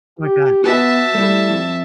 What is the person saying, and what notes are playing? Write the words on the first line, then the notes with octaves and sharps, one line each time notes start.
Oh my god.
G4
B3 F#4 B4 D#5 E5 A5
G3 A3 E4
F2